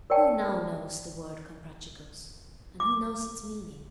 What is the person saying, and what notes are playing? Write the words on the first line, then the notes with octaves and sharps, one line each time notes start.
Who now knows the word Comprachicos, and who knows its meaning?
A#4 C#5 D5 G5 A5
D6